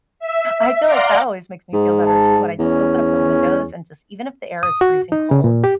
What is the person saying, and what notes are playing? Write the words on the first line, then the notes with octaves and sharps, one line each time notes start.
I feel like that always makes me feel better too when I just open up the windows and just even if the air is freezing cold,
E5
D5 F5 F#5 A#5 C6 D6
G#2
A5
E2 C#4
D#6
F#4
D#4
C#3
A#2
G4